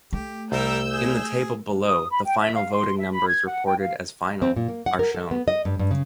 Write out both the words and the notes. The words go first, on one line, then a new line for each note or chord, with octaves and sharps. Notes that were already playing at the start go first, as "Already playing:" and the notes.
In the table below the final voting numbers reported as final are shown.
A3 G4
C2 G3 A#4 E6 G6
G#4
D#6
B5
G5
E5
F5
C6
E5
B5
G#6
F#5
G5
F5
C4
A#2
A#3
F#5
A#4
A4
B3
D#5
G2
G2
C#3